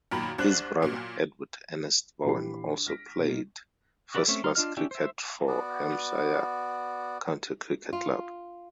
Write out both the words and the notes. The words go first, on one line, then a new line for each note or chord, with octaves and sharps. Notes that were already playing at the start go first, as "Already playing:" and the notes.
His brother, Edward Ernest Bowen also played first-class cricket for Hampshire County Cricket Club.
F#2 A#2 D#3 A#5 B5
C2 D4 C5 F#6
A#2 F#3
A#1 E3 G4 B5 C7
F6 A#6 B6 D7
B2 A#3 D#4 F4
F#4 G4 B4 D5 D6
A3 C4 C#4 C#5 E5
G3 A#5 C6 F6
D4 F4 D#5 F6
C#4 D4 E4 G4
C5 E5
B3 F#4 D5
F4